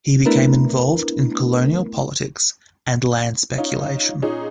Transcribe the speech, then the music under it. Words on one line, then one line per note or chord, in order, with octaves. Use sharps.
He became involved in colonial politics and land speculation.
A3 B3 D4 E4 A#4 B4
C#4 D#4 F4
A#2 C#4 D#4 G#4